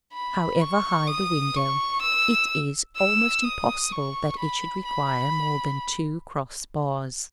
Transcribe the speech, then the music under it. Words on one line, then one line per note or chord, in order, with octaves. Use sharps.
However high the window, it is almost impossible that it should require more than two cross bars.
B5
C#6
D#6
C#6
E6
E6
D#6
C#6
B5
B5